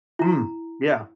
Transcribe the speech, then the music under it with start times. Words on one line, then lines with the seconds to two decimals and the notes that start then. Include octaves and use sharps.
Mm. Yeah.
0.19 E4 A#5